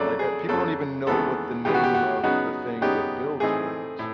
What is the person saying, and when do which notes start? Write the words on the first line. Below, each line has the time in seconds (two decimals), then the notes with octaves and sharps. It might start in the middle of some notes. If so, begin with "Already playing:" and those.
Like, uh, people don't even know what the name of the thing that builds hormones.
Already playing: F2 C#3 F#3 A3 D5
0.19 G#4
0.49 F2 C#3 F#3 A3 A4
1.07 D#2 C#3 E3 G#3 B3 A4
1.65 D#2 C#3 E3 G#3 B3 G4
1.74 F#4
1.83 G4
1.94 F#4
2.23 C#3 F#3 B3 D#4 F#4
2.81 C#3 F#3 B3 D#4 G4
3.40 A2 E3 A3 C4 D#4 G#4
3.99 A2